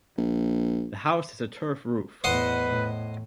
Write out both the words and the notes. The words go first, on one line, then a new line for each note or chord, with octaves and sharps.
The house has a turf roof.
A#1
E2 A2 B4 C5 D#5 F#5
A2